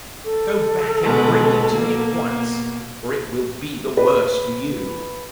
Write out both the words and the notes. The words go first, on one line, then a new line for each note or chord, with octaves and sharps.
Go back and bring them to me at once, or it will be the worse for you.'
A4
B2 G#3
B2 A#3
B4